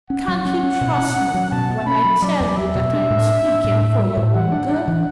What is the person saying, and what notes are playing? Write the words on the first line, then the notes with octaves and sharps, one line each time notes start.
Can't you trust me when I tell you that I am speaking for your own good?
C#4 F#5
F#3
C#4
C#4
B2
C#4
C#4
F#3
B2 A5
B2
C#4 B5
F#3
F#3 D5
E2
F#3 E5
B2
D4
A2
D4
D4
A2
A2
G3
A2
E3 F#5
D4
D4
E3